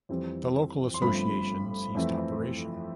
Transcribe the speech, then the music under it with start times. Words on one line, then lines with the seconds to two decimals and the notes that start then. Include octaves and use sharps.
The local association ceased operation.
0.09 F2 E3 G3 C4
0.94 C6
1.02 G1 G2 F3 A3 C4 B5
1.95 F2 E3 A3 C4